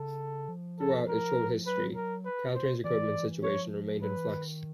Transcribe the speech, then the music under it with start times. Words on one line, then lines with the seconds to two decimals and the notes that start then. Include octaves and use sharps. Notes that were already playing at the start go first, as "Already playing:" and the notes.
Throughout its short history CalTrain's equipment situation remained in flux.
Already playing: C#3 A4
0.49 F3
0.79 A4
1.08 A#4
1.66 F#3 B4
1.96 A#4
2.25 B4
2.55 C5
2.84 E3 D5
3.43 F3 C#5
4.02 F#3 B4
4.17 E3
4.32 D#3